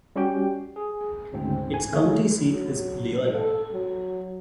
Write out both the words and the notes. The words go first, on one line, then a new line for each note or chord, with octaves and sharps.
Its county seat is Leola.
G3 C#4 F#4 G4 G5
G#4
D2 G#2 C#3 C4
G#5
D3 A3 A#3 G#4 C#5
F#3
A4
F#3